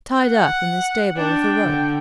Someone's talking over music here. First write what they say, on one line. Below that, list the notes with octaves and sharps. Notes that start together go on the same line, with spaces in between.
'Tied up in the stable with a rope.'
F#5
D4 G5
D3